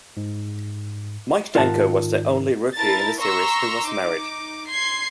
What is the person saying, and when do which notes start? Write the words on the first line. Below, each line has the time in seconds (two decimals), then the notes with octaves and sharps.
Mike Danko was the only rookie in the series who was married.
0.17 G#2
1.55 G#2 D#3 F4 F#5 A5
2.75 E4 A#4 A5 A6
3.18 A#5 C6 C#6 E6
3.87 D#4 D6
4.69 C6 G#6 C7